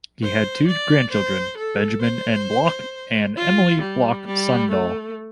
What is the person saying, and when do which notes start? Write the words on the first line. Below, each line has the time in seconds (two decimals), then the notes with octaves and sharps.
He had two grandchildren, Benjamin N. Bloch and Emilie Bloch Sondel.
0.23 C5
0.67 D5
1.12 C5
1.57 A4
2.02 C5
3.37 F4
3.81 G3
4.26 G3
4.71 A3